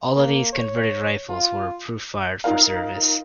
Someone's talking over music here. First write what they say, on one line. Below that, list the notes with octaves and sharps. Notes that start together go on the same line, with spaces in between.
All of these converted rifles were proof-fired for service.
A#3
C#5
F4
D#4 F4 A#4 F5